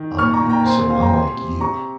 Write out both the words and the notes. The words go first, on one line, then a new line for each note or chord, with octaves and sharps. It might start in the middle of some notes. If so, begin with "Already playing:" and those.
um, so, I'm like you.
Already playing: D#3
A#2 C#6 F6
A#5 C#6
A#2
G5 A#5
A#5
C4 G#5 C6
G#3 F5 G#5
G5 A#5
C3 G#5 C6
C3
C3 A#5 C#6